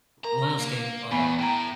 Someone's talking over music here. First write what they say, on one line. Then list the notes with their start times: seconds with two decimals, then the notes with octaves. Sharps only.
RuneScape, um
0.24 A#4 A#5
0.59 A#3
1.11 E2 B3 G#5 B5
1.39 A2 G5 A#5